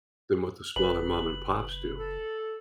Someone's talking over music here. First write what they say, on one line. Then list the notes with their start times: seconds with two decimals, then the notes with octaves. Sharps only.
than what the smaller mom-and-pops do.
0.76 F#1 B4 F#7
1.98 A4